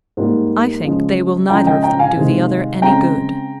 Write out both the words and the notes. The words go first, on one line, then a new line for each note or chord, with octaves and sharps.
"I think they will neither of them do the other any good."
G#2 G3 A#3
C#3 F3 G#3
C#3 F3 G#3 G5 A#5
D#5 G5
G5 A#5
F5 G#5
C3 D#3 G#3
C#3 G#3 C4 G5 A#5